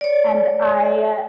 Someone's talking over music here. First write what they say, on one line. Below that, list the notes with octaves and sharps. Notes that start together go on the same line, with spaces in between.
and I
C#5 D5